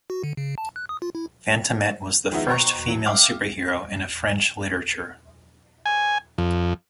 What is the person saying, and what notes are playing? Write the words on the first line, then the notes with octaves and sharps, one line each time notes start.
Fantomette was the first female superhero in French literature.
F#4
D3
C#3
A5
F#6
D#6
F4
E4
D#3 F3 G#3 B3 D#4 E4
B2 C5 G5 A#5 C#6
E3 F#3
E5 F5 G5 D6 F6
G#5
F2